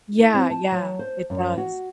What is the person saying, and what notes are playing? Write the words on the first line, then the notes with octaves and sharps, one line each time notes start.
Yeah, yeah, it does.
E4
C4
A5
F#3
C5
F#2
F#4